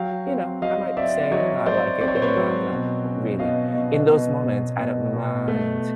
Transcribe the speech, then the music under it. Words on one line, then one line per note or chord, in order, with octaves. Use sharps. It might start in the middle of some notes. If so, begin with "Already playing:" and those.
you know, I might say, you know, I like it, even though I'm not, really in those moments, I don't mind
Already playing: F#3 F5 G5
C4
F#3 D#5 F5
C4 D5 E5
F#3 C#5 D#5
F#3 C5 D5
C4 D5
C#5
C5
B4 C#5
F#3
B2
C#4
B2 D#5 F5
B2
B2
B2
B2
B2
A3